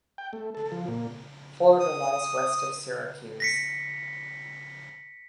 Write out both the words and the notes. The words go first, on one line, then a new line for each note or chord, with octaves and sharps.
Floridia lies west of Syracuse.
G5
A3
A4
F3
A#2
D#6
A#6 B6 C#7